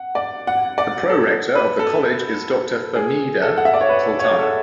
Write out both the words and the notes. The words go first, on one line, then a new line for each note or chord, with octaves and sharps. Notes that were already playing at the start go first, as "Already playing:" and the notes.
The pro-rector of the college is Doctor Fehmida Sultana.
Already playing: F#5
D5
F#5
D5
A4
B4
A4
G#4
A4
F#5
E5
D5
C#5
B4
C#5
A4